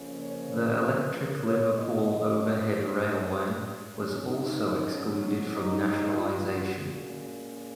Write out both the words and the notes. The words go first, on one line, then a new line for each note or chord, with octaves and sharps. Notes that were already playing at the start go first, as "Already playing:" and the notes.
The electric Liverpool Overhead Railway was also excluded from nationalisation.
Already playing: F2 C#3 F3 A#3 C#4
C#5
B4
A#4
C#5
A#2 G#3 C#4 D#5
C#5
F#4
F#4
C#4
G#2 F#3 C#4 D#4
C#4
D#4
F4
F#4
A#2 G#3 C#4